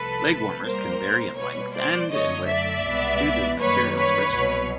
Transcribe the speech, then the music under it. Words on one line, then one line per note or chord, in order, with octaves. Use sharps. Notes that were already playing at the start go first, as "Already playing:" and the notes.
Leg warmers can vary in length, and in width, due to the material's stretchiness.
Already playing: C2 C3 F3 A3 A4 B4
A#2 G3 A#3 A#4 C5
B2 G3 A#3 B4 C#5
C5 D5
F#2 D3 F#3 A3 C#5 D#5
D5 E5
C2 B2 G#3 B3
F#2 D#3 G3 A#3 B4 C#5
B4 C#5
C2 B2 F#3